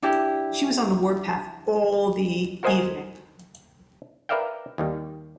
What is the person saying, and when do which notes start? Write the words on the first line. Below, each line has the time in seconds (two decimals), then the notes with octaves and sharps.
She was on the warpath all the evening.
0.02 D4 E4 G4
2.63 F#4 A#4 C5 D#5 F#5 G#5
4.29 A#4 B4 D5 E5 F5 G5
4.78 D#2 D#3 G3